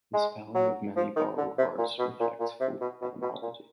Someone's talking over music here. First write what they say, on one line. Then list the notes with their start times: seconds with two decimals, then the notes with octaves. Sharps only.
The spelling of many borrowed words reflects folk etymology.
0.14 G#3
0.55 F#3
0.96 F3
1.16 D#3
1.38 D3
1.58 C3
1.78 A#2
1.99 B2
2.20 A#2
2.40 A#2
2.60 C3
2.81 B2
3.02 B2
3.22 B2
3.42 A#2